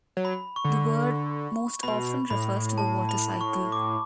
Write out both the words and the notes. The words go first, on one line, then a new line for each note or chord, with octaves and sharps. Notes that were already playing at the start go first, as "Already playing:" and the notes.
The word most often refers to the water cycle.
F#3
B5
C#6
D3
B2 B5
A2 B5
A5
B5
C#6
D6